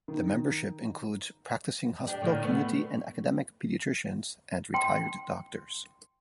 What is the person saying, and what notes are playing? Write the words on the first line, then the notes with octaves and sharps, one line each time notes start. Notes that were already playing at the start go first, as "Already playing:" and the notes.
The membership includes practicing hospital, community and academic paediatricians and retired doctors.
D#3
D4 G4 D5
A2 D3 D#3
A3 B3
G5 C6